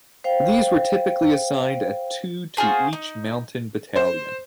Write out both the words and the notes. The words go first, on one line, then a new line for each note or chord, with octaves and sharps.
These were typically assigned at two to each mountain battalion.
C5 F5 G5
F4 F#4 G#4 C5
D#4
C5